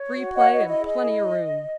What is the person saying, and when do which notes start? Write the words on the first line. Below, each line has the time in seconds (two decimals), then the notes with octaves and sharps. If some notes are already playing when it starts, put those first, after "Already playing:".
"Free play and plenty of room."
Already playing: C#5
0.14 F#4
0.35 C#5 D#5 F#5
0.52 D#5
0.57 E4
0.68 D#5
0.80 G#4
0.85 D#5
1.01 E4